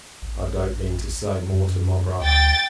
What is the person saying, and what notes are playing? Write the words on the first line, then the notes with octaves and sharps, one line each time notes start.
I don't mean to say more to my Brother.
A1
F#2
D2 G5 A6